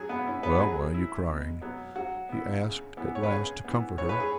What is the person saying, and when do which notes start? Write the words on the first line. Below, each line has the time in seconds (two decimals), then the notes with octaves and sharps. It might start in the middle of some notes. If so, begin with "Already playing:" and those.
"Well, why are you crying?" he asked at last to comfort her.
Already playing: F#3 G#4
0.09 B3 B4
0.26 C#4 E4
0.43 B3 B4
0.56 B4
0.60 F#3 G#4
0.94 E4
1.27 B2
1.61 F#3 B3
1.96 F#3 F#4
2.29 B3 E4
2.63 C#3
2.97 E3 B3
3.15 C#5
3.23 B4
3.31 C#3 G#4
3.64 E3 B3
3.98 E3 C#5
4.09 B4
4.20 G#4